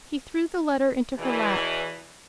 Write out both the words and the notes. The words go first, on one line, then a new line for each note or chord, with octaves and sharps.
He threw the letter into her lap.
E2 B2 E3